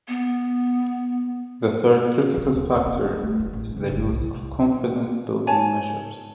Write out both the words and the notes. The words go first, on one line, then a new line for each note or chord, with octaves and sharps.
The third critical factor is the use of confidence-building measures.
B3
D3
D#2
D#2
C4
D2
A3
E4
A1
C#3
G1
C2
C#5 G#5 A5